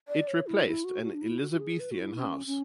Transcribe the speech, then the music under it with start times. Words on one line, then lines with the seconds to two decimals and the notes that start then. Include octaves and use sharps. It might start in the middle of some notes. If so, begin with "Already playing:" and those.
It replaced an Elizabethan house.
0.08 D5
0.28 C#5
0.47 E4
0.66 E4
0.84 F#4
1.03 F#4
1.14 D4
1.22 E4
1.41 F#4
1.51 F#4
1.60 G#4
1.80 B4
1.91 F#4
1.98 E4
2.18 C#4
2.46 C#4